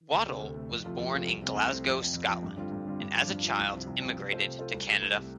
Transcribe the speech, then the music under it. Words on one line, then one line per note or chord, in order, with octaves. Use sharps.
Waddell was born in Glasgow, Scotland, and as a child immigrated to Canada.
D2
C3 A3
D2
C3 A3
F2
C3 F3 A3 F4
F2
C3 F3 A3 F4
C2
C3 A3 C4
C2
C3 A3 C4
F2
F3 C4
F2
F3 C4
G2
D3 G3 C4 F4
G2
D3 G3 C4 F4
G2
F3 D4 F4
G2
F3 D4 F4
C2
C3 F3 C4
C2
C3 F3 C4
C3
A3 F4 A4 C5
C3
A3 F4 A4 C5
C2
C3 A3
C2
C3 A3